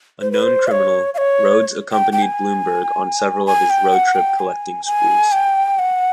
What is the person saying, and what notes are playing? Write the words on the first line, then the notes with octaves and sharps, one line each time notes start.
A known criminal, Rhodes accompanied Blumberg on several of his "road trip" collecting sprees.
C5
B4
C5
F5
C#5
F5
C#5
G5
G5
G#5
G#5
G5
F#5
G5
G#5
G#5
G5
F#5